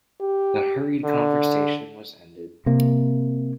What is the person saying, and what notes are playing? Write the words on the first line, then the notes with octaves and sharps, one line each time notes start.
The hurried conversation was ended.
G4
D3
C3 A#3